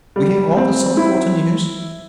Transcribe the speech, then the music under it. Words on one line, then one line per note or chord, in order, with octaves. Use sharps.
We hear all the salt-water news.
G3
C4
E4